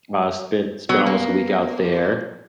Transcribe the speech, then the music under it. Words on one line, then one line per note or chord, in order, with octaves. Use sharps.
uh, spent spent almost a week out there.
F#3 B3
A#3